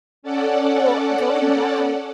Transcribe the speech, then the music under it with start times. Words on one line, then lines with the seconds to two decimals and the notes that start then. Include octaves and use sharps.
Well, going back
0.23 C#4 A4 D5 F#5